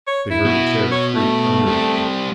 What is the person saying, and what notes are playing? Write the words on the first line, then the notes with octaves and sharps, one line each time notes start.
They heard a chair creak under him.
C#5
E4
B3 F#4
C#5
A3
G3 C4